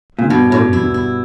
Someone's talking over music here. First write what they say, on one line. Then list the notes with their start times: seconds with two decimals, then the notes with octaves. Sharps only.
Who are you?
0.19 A#2
0.30 G2 B2
0.52 G2
0.73 E4
0.94 E4